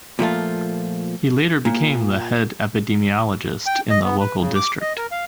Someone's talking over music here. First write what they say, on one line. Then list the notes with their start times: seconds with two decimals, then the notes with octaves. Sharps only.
He later became the head epidemiologist in the local district.
0.19 A#2 F3 A3 F4
1.65 A#2
3.66 G5
3.90 D#5
4.04 B3
4.20 B4
4.41 C#3
4.55 D6
4.81 D#5
4.97 A#4
5.11 F5